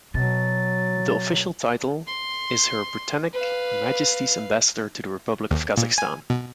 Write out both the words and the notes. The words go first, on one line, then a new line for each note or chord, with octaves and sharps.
The official title is Her Britannic Majesty's Ambassador to the Republic of Kazakhstan.
B2 F#3 A6
C6
B4 F5
D#2
A#2
G#5
B2